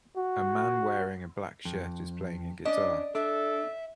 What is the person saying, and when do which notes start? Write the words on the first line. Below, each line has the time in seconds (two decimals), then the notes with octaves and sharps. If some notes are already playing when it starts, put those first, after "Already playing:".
A man wearing a black shirt is playing a guitar.
0.17 F#4
1.65 F2
2.65 C#4 D4 D5 D#5
3.15 D4 A4 E5